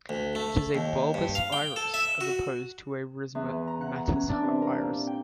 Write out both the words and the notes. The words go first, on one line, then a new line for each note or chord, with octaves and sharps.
It is a bulbous iris, as opposed to a rhizomatous iris.
D2
A3
D#2
G2
F5
G5
A4
E5
F#4
E2
E3
A#5
F#5
A#5
C#4
D4
C3
A#4
A#2
G5